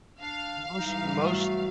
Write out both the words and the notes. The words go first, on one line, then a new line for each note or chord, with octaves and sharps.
Most most
D4 F5
G#2 E3 G3 D#4
F#3 A3